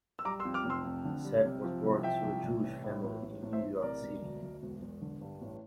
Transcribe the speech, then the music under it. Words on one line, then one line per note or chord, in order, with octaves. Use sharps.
Sack was born to a Jewish family in New York City.
E6
G3 A#5 D6
C6 E6
F2
D6 F6
F1
C6 E6
F2
D3
G3
C3
F3
C2
F3 E5 G5
C2
C2
A1
A2
A1
A1
A1
C5 E5
A1
C3 A#4 D5
E1
D2
D2
E1
E1
D3
G2
A1